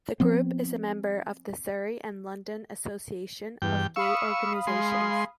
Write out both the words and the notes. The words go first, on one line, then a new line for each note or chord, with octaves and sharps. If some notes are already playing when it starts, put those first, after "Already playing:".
The group is a member of The Surrey and London Association of Gay Organisations.
F3 B3 C4
E2 G2 G5
F5 B5 C#6 D#6 E6
G#3 C6